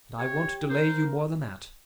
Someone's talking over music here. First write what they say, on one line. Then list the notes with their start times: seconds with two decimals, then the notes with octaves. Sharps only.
And I won't delay you more than that.
0.19 G4 C#5
0.70 A#4 C5